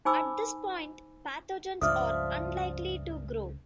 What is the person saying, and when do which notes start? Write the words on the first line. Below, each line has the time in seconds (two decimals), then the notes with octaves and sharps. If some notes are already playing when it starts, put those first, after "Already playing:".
At this point pathogens are unlikely to grow.
0.05 D#4 C5 G#5 B5 D6 E6
1.81 C#2 G2 F3 C#4 D5 E5 D#6 F6